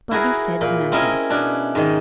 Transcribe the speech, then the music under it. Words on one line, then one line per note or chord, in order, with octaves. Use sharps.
Bobby said nothing.
E4 F#4 G#4 A#4
A#2
C4 C#4 E4 A#4 D#5
B2 C#4 D4
G#2 D#3